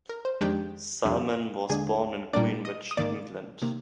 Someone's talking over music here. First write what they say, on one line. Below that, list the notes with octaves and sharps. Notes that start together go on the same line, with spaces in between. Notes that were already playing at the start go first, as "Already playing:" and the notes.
Sulman was born in Greenwich, England.
A#4
C5
F2 D#3 G#3 D4 G4 G5
F2 C3 G3 D4
D#2 D3 G#3 D4 G#4 G#5
A#2 G3 A#3 D4 D5 D6
D#5 D#6
D#6
G#2 D#3 A#3 D5 D6
C3 D#3 A#3